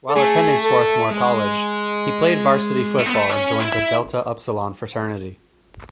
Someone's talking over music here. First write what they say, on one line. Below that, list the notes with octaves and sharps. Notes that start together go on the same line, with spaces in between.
While attending Swarthmore College he played varsity football and joined the Delta Upsilon Fraternity.
A4
A3 G#4
A4
G#3
A3
B3
A3
C#4
E4